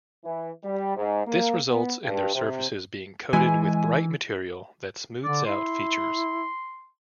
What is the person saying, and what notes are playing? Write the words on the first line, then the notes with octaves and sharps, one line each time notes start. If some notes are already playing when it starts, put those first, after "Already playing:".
This results in their surfaces being coated with bright material that smooths out features.
E3
G3
G#2
A#3
B3
G2
C3
E3 G#3 G#5
D3 D5
E4 C6